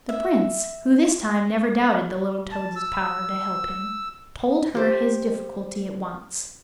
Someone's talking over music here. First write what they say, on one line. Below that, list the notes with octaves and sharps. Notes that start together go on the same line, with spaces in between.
The Prince, who this time never doubted the little toad's power to help him, told her his difficulty at once.
E5
A5
E6
G4 C5